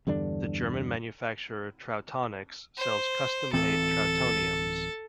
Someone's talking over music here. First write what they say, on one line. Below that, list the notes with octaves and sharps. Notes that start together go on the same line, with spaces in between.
The German manufacturer trautoniks sells custom made Trautoniums.
E2 G2 D3 D4
C5
D1 E3 C4 A4